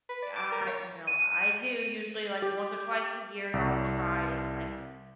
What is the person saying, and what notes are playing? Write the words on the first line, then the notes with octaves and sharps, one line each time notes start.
I you know, I do usually, like once or twice a year, I'll try and like, uh,
B4
D5
D6
A#4
C#5
D#7
G4
C2